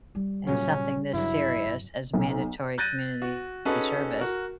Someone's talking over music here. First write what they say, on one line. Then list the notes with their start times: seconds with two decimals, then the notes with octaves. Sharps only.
in something this serious as mandatory community service,
0.15 G3
0.47 A#2 C#3 F#3 C#4
1.14 G2 C#3 F#3 E4
2.14 B1
2.78 F#6 G6 A6 A#6 D#7
3.22 F#4
3.65 C#4 D#4 F#4 G#4 A4 B4
4.19 F#4 A#4